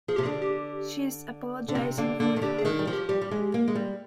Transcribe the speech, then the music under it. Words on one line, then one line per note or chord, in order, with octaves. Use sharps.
She is apologising for the hurt.
F3 G#4
C3 G4
D3 G#4
G4
D3
C3 C4
D3 A#3
D3 A#3
D#3
D3 G4
G#4
D#3
G3
F3
G4
G3 G4
G3
G#3
A#3
G#3
G3